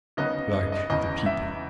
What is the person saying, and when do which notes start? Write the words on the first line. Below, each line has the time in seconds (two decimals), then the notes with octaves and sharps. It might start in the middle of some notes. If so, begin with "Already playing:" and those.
Like the People.
0.17 C#3 F#3 B3 D#4 D#5
0.54 D#5
0.72 D#5
0.90 E2 C#3 E3 D#5
1.26 E5